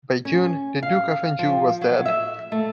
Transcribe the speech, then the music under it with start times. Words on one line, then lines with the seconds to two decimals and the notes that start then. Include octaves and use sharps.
By June, the Duke of Anjou was dead.
0.25 C#4
0.83 F5
1.39 F3
1.81 F#3
2.06 E5
2.52 A3